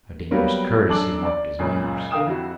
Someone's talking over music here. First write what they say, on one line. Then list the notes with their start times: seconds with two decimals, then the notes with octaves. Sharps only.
A dangerous courtesy marked his manners.
0.31 F#3 G3 A#3 B3
0.89 F#2 D4 A4 D6 F#7
1.26 D5
1.59 C#2 F#2 A#2 C#3
2.11 D3 A#4 F5 G5 D#6 E7
2.26 F2 E4 F#4